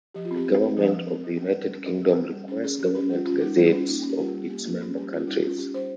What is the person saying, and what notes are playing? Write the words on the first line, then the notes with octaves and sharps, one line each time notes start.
The government of the United Kingdom requires government gazettes of its member countries.
F3 G4
F4
C4 G4
C4
C4
F3
F3
C4
F3
G3
G3
C#4
C#4
G4
C#4 G#4
G3
G3
C#4
C#4 G#4
C#4 G4
C#4 G4
G3 F4
C#4 F4
G3 D#4
G3 F4
C#4 F4
A#3 D#4
C#4
G4
G3 F4
G3
A#3 G4
A#3 F4
C#4 G#4
G3 G4
C#4 F4
G3 D#4
C#4 F4
C#4 G4
G3 C5